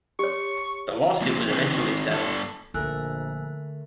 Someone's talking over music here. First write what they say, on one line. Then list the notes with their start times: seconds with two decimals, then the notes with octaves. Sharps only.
The lawsuit was eventually settled.
0.19 G4 C#5 C#6
1.21 F2 A#2
1.49 C3 D#3 E3
1.74 D#3 C4
2.11 G2 D4 A4
2.74 A#1 D3 A3 A#4 G#5 E6 F#6